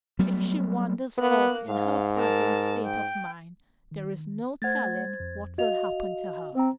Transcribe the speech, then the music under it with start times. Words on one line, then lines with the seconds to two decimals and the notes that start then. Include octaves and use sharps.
"If she wanders off in her present state of mind there is no telling what will happen to her."
0.19 F#3 G3 A3 B3
1.18 A#3 B3 F#6
1.67 G#2 F5
2.16 A#4 A5
2.86 G5
3.91 D#3
4.62 A3 C5 F#5 G#6 A6
5.20 F2
5.58 F#4 D#5 F5 F7
6.55 C4 C5 A#5